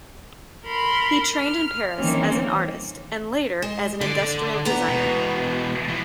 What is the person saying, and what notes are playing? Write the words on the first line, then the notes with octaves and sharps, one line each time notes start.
He trained in Paris as an artist and later as an industrial designer.
A#4 B5 C6
F6
D#3 E3 G3 A#3 C4 C#4
G#3
D3 D5
B3 A#5
E2 B2
E3 F3